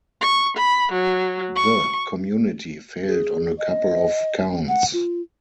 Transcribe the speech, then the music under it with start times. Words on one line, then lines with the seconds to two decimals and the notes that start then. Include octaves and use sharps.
The community failed on a couple of counts.
0.21 C#6
0.57 B5
0.92 F#3
1.56 C#6
3.08 G#4
3.58 D#5
4.68 F#5
4.93 F4